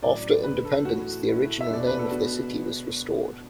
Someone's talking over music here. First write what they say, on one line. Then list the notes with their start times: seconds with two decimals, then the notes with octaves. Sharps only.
After independence the original name of the city was restored.
0.02 A1 A2 F#3 D5
0.43 E1 D2 D3 B4
0.65 A4
0.85 A2 E3 A3 F#4
1.28 A2 A3 E4
1.61 E5
1.70 E1 E2 B2 A3 D5
1.86 B4
1.99 A4
2.11 B2 B3 D4 F#4